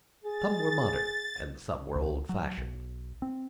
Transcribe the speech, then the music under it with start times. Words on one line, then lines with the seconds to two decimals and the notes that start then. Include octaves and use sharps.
Some were modern and some were old-fashioned.
0.24 G#4 A6
1.95 C#2
2.29 F#3
2.58 B1
3.22 C4